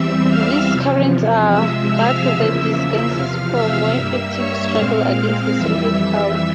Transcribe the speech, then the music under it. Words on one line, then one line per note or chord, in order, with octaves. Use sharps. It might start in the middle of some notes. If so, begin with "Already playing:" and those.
These currents are but the disguises for more effective struggle against the Soviet power.
Already playing: E2 E3 G3 C4 E5 E6
F5 F6
E2 C3 F3
C3 F3 G#3 E5 E6
F5 F6
E2 C#3 F3 A#3 E5 E6
E2 C3 F3 F5 F6
E5 E6
G2 G3 A#3
C#5 C#6
A#2 G#3 C4 F5 F6
F5 F6
F2 E3 G3 E5 E6